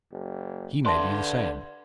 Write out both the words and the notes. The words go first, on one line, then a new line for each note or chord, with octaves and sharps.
He may be the same.
F#1
D3 B4 D5 E5 A5 C6